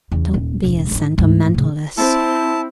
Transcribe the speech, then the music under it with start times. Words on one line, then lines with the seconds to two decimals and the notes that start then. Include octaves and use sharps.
Don't be a sentimentalist.
0.12 E2 C#3
0.34 D#1
0.64 E1 C#2
0.91 G#2 D#4
1.18 D2 G#2
1.54 A2 C#3
1.97 C4 E4 A5